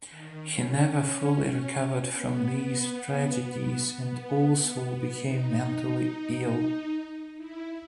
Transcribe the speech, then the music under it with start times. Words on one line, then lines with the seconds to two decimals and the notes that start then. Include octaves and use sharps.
He never fully recovered from these tragedies and also became mentally ill.
0.10 D#3
0.42 C#4
2.00 B3
3.90 B3
4.53 B3
5.16 D#4
7.36 E4